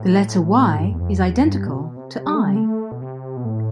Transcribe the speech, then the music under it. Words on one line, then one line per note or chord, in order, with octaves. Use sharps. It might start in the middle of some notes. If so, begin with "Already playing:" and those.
The letter "y" is identical to 'i'.
Already playing: A2
G2
E2
F2
E2
G2
B2
C3
G3
A3
G3
A3
B2
C3
B2
A2